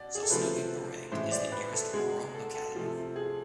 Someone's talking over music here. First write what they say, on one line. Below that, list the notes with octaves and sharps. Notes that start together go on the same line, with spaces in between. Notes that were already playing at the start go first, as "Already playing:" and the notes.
Sosnovy Bereg is the nearest rural locality.
Already playing: B2 D5
G#4
A4
C3 F3 A3 B4
A2 E3 G#3 C5
D5
B4
A4
B2 G#3 G#4
A4
A4
C3 F3 A3
G#4